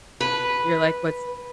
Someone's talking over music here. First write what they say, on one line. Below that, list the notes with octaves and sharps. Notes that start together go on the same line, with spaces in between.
You're like, "What's
B4